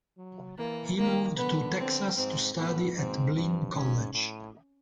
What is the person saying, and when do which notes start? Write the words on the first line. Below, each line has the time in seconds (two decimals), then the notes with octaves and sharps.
He moved to Texas to study at Blinn College.
0.18 F#3
0.58 E3 A#3
0.97 D#3 A#3
1.37 D3 B3
1.77 C4
2.16 G#2 C4
2.55 A2 B3
2.96 G#2 C4
3.35 G2
3.74 G#2 C#4
4.14 A2